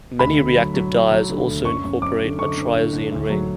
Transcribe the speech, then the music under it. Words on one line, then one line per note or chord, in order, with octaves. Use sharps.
Many reactive dyes also incorporate a triazine ring.
D2 B5
D2
F#3
F#3
F#3
F#3
D3
D2
F#2 C#6
F#2
F#2 D6
D3
D3 C#6
D3
D3
D3
D2
F#3